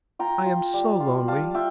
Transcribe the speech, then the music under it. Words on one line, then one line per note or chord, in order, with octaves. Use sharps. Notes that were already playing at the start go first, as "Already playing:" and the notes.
I am so lonely.
F4 G5 A#5
F4
G3
F4
G3 F5 A5
F4 E5 G5